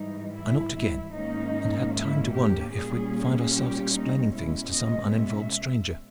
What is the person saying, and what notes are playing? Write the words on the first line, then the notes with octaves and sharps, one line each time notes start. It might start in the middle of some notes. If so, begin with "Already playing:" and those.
I knocked again and had time to wonder if we'd find ourselves explaining things to some uninvolved stranger.
Already playing: G#2 E3 G3 D#4
E4
E4
G#2 D#3 A#3 C#4 D#4
E4
G4
A#2 G3 C#4 G#4
G4
D#4
B2 G#3 C#4 E4
D#5
E5